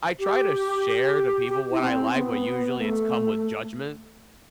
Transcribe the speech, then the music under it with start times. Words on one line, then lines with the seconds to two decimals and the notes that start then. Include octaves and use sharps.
I try to share to people what I like, but usually it's come with judgment
0.20 G4
1.49 G4
1.71 E4
1.81 C4
2.14 B3
2.79 A3